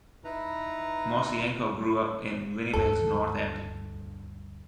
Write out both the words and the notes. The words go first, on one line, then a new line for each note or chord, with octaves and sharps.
Mosienko grew up in Winnipeg's north end.
D#4 E4 B4 A#5
D2 G2 A4